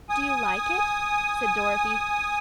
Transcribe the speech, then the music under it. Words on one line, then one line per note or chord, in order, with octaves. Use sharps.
"Do you like it?" said Dorothy.
G#5 D#6